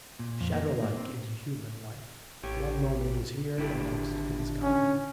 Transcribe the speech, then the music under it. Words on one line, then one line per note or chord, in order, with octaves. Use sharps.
Shadow-like is human life! one moment it is here, the next it is gone.
A#2
F2
A#3
A#3
A#3
C4
A1 G4 C#5
G#1 D3 E4 G4
C#4